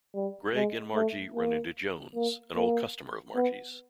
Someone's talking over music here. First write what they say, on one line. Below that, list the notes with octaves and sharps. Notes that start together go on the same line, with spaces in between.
Gregg and Margy run into Jones, an old customer of Margy's.
G3
G#3
A3
A#3
A#3
A#3
B3